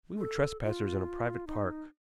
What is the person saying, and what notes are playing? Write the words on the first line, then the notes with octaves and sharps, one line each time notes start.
We were trespassers in a private park.
A4
F4
D#4